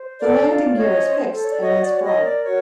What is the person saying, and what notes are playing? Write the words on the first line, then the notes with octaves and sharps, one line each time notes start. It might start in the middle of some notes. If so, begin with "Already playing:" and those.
The landing gear is fixed and unsprung.
Already playing: C5
A4 D5
F4 D5
C#4 C#5 D#5
C5
A4
C#5
D5
F#4 C#5 D#5
D5
C#5
C#5 D#5
A#4
D5
F#4 C#5